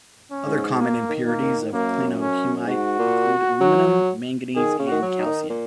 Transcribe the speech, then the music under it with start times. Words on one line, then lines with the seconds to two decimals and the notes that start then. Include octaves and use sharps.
Other common impurities of clinohumite include aluminium, manganese, and calcium.
0.31 C#4
0.47 G#2
0.79 A#3
1.09 D#3
1.26 A#3
1.42 D#3
1.73 F#2 A#3
2.20 C#4
2.67 G#2 F#4
2.99 A#2
3.61 F#3
4.55 D#3 G#4
4.79 C#3
4.87 D#3 F#4
5.02 F#3
5.18 D#4
5.26 D#3
5.49 A#2